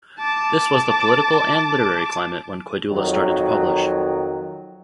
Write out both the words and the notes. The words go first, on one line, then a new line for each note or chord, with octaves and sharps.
This was the political and literary climate when Koidula started to publish.
A5 D6
F2 D#3 F#3